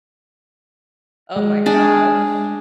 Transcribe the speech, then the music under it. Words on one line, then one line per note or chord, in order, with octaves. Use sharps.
oh my gosh.
G#3
D4 G#4